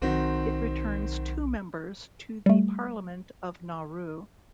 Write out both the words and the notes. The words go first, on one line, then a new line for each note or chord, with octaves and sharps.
It returns two members to the Parliament of Nauru.
B1 D#3 C4 F#4
G3 A3